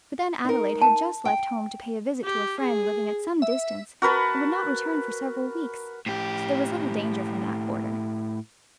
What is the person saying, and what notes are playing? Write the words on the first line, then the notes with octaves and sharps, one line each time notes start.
But then Adelaide had just left home to pay a visit to a friend living at some distance, and would not return for several weeks, so there was little danger from that quarter.
D#4 A#4
A5
G5
G4
G#4
E5
F#4 A#4 B4 A5
A2 G4